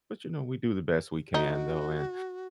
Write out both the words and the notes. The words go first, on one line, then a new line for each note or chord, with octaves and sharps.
But, you know, we do the best we can, though, and
D#4 F#4